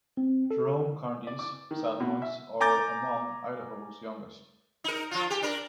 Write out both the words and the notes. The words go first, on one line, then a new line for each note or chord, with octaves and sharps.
Jerome county's settlements are among Idaho's youngest.
C4
A4
D5
D6
D#3
B2
E5
G#5 A#5 D6 G6 A6
D#4 A#4
F3 F4
G4
D4 A#4